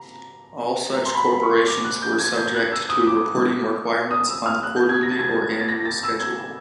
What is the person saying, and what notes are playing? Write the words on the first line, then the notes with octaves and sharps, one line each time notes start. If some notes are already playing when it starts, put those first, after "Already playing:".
All such corporations were subject to reporting requirements on a quarterly or annual schedule.
Already playing: A#5
A#5
C6
B5
B5
C#6
C6
D6
F#6
G6
G#6
G6
F#6
E6
D#6
D6
D#6
E6
F6
F#6
G6
G#6
A#6
A6
G#6
A6
A6
A#6
A6
E6
G#6